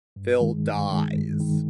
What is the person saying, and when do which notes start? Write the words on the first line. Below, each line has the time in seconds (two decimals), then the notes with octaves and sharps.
Phil dies.
0.16 G2
0.41 D#3 G#3
0.65 G2
0.90 D#3 G#3
1.15 G2
1.39 D#3 G#3